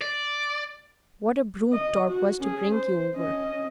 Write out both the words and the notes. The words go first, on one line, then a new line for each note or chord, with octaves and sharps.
What a brute Torp was to bring you over.'
D5
D#5
F#4
C#4 G#4
C5
C#4 D#5